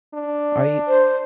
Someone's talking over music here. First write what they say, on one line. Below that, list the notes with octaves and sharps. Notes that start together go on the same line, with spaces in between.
Are you
D4
C5